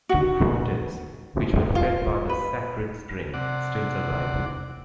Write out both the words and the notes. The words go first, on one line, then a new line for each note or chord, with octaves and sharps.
Two fountains, which were fed by the sacred spring, still survive.
F#4
F4
B4
C3 D5 F#5